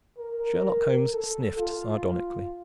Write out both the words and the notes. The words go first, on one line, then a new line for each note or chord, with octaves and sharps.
Sherlock Holmes sniffed sardonically.
A#4
A4
F4